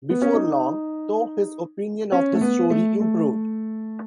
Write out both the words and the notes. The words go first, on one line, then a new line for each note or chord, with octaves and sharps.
Before long, though, his opinion of the story improved.
B3
C#4
D#4
C#4
A3
B3
A3
A3